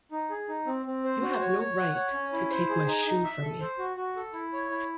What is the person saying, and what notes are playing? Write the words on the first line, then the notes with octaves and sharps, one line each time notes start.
You have no right to take my shoe from me.
D#4
G#4
D#4
C4
C4
C5
F#4
C#5
C#5
F#5
C#5
C#4
E4
C5
G#4
D#4
D#4
E5
A4
C5
F#4
F#4
A4
E4
C#5
E4